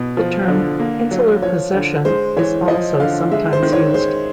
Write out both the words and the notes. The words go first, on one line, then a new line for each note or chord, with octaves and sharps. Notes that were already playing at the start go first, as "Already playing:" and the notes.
The term insular possession is also sometimes used.
Already playing: B2
F3
D3
A#3
F#3
F3 C#5
D3
G#3 C5
E3 C#5
F3 D#5
D3 F5
G#3 E5
C5
D#3
C#5
G#3 C5